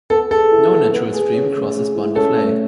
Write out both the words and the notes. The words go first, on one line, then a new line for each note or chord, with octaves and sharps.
No natural stream crosses Bondoufle.
B3 A4
G#4 A4
E4
B3
B3
G#4
C#4
A3
G#4
E4
C#4 A4
A3